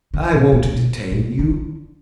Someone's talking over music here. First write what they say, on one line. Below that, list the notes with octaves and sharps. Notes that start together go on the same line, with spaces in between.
I won't detain you.'
D3
A#2
B2
D3
B2
A#2
D#3
D3